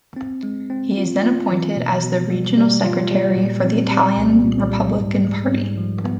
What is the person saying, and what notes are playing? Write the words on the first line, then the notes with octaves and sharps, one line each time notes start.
He is then appointed as the regional secretary for the Italian Republican Party.
C4
G#3
C4
F4
F4
E3
B2
B2
G3
G3
F4
G3
A#2
C4
G3
C2
A#2
G3
G#2
G#3
G#2
F3
B3